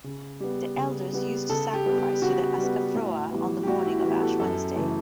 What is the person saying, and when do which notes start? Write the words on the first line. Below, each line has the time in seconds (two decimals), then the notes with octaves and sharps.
The elders used to sacrifice to the Askafroa on the morning of Ash Wednesday.
0.04 C#3
0.40 G3 B3
0.77 C#3
1.13 G3 B3
1.49 C#3 A4
1.74 G4
1.86 G3 B3
1.98 G4
2.22 C#3 F#4
2.58 G3 B3
2.94 A2
3.31 E3 G3 B3
3.63 G4
3.67 A2 F#4
3.86 E4
3.99 F#4
4.04 E3 G3 B3 G4
4.22 A4
4.40 F#2 A4
4.76 C#3 E3 A3